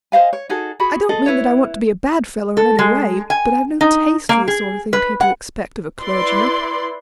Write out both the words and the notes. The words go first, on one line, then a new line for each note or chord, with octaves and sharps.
I don't mean that I want to be a bad fellow in any way; but I've no taste for the sort of thing people expect of a clergyman.
C5 D#5 F5 G#5
C#5
D#4 F#4 G#4 A4
F#4 G#4 B5
G#4 A4 D#5
E4 B4 C#5
A4
G#3
G#5
D#4
A#3
G#4
B4
F#5
E4 B4 D5 C6